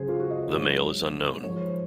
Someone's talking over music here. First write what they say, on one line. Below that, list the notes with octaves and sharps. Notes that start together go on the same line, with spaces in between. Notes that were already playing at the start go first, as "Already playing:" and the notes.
The male is unknown.
Already playing: C#2 C#3 F#3 G#4 C5
F4
F#4
D#5
C#5
G#2 F#3
G#2 F3 C#5
C5